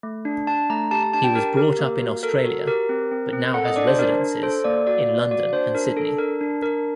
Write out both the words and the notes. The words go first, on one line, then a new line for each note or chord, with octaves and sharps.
He was brought up in Australia, but now has residences in London and Sydney.
A3
D4
D4 A5
A3 A#5
G4 A5
A5
D4 A5
G5
G4 A#4
G4 A#4
A#3
F#4
A4 A#4
F#4
G4 A#4
C4
C4
C4
A4 F#5
D#5
D4 D5
C5
D4 A#4
D4
A4 C5
A#3 D5
F#4 D5
A#3
F#4 D5
D4 C5
D4 A#4
D4 A4
D4 A#4
D4
D4 A#4